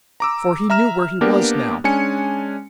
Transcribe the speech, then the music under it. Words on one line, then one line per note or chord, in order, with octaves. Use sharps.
For he knew where he was now.
A#5 D6 E6
E5 A#5 F6 E7
A#3 B3 D4 G4 A#4
G#3 C#4 D4 G#5 C#7